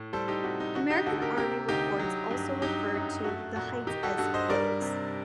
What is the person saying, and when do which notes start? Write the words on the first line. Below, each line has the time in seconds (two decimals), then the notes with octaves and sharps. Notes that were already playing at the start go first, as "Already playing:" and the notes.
American Army reports also referred to the heights as "hills".
Already playing: A2
0.13 G3 A4 C5
0.28 D#4 G4
0.44 C3 F#4
0.60 D#4
0.75 D3 F#4
0.90 D#4 G4
1.06 D2 F#4 A4
1.22 G4 A#4
1.37 C3 G4 A#4
1.69 D2 D#4 G4
2.00 F#3
2.31 G2
2.62 F#3 D#4 G4
2.94 F#2 D#4
3.24 A3 F#4
3.56 A#2 F#4
3.87 D#3 D#4 G4
4.03 F#4 A4
4.18 G2 F#4 A4
4.34 C5 D#5
4.49 G3 A#4 D5
4.81 C3